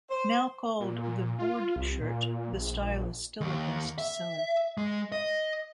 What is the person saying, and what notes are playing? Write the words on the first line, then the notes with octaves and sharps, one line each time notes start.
Now called the "board shirt," the style is still a bestseller.
C5
A#2
A#2
F4
C2
A#2
A#1
D#2
E5
G#3
D#5